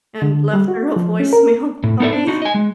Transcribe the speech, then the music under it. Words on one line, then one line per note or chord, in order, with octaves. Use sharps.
and left her a voicemail about me.
D3
G3
F#4
F3
C#4
A#4
A2
B3 D#4 A4 D5 E5
D4
D#4 F#4
D#5 G#5
G#3